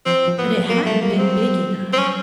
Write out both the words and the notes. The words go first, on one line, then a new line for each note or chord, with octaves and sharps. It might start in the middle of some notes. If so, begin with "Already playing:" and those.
But it hadn't been big enough.
F3 C4
F3
B3
F#3
F#3 A#3
A3
G3
A#3
F#3
C4
C4
C#4